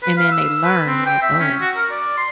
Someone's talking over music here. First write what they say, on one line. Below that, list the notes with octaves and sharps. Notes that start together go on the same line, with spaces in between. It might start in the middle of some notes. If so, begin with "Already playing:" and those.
and then they learn, like, "Oh"
B4
F5
E6
B4
C4
G5
E5
C#4
F#4
A#4
D5
C6